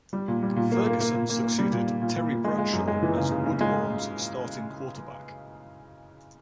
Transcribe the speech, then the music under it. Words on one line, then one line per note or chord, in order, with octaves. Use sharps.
Ferguson succeeded Terry Bradshaw as Woodlawn's starting quarterback.
G3
A#2
G3
A#2
A#3
A#3
A#3
A#2
A#3
A#3
G3
A#2
A#2
A#2
A#2
A#2
G#3
G#3
F#2
G#3
E3
C#3
C#3
C#3
G#3